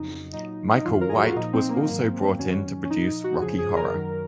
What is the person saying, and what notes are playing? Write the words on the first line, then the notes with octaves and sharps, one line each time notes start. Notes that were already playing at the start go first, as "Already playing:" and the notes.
Michael White was also brought in to produce "Rocky Horror".
Already playing: F2 C#3 F#3 D#4
A#2 F#3 D#4
D#4
F2 D#3 F#3 F4
A#4
G#4
F#4
F4
A#2 F3 D#4
C4
A#3
G#2 D#3 F#3 A#3
C4
C4
F#2 D#3 F#3 C#4
C#4
A#2 F3 D#4
D#4
F#4
F2 C#3 F3 G#4
G#4
A#4
F#2 D#3 F#3